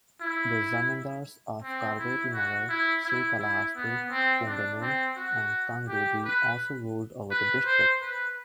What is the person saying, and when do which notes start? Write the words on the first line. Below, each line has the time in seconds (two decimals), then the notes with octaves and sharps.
The Zamindars of Karvetinagar, Srikalahasthi, Punganur and Kangundhi also ruled over this district.
0.21 E4
1.62 C4
1.99 E4
2.33 F#4
2.69 E4
3.05 E4
3.40 E4
3.76 B3
4.11 C4
4.47 D4
4.82 C4
5.17 F#4
5.88 G4
6.24 B4
7.31 B4
7.66 C5
8.01 B4